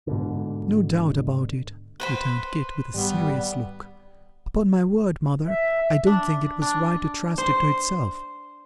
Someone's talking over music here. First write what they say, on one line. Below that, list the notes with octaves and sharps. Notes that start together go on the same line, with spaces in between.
'No doubt about it,' returned Kit, with a serious look; 'upon my word, mother, I don't think it was right to trust it to itself.
G#2 B2 D3
B4 C5 B5
G#1 G3 B3
E5
D4
D4
C5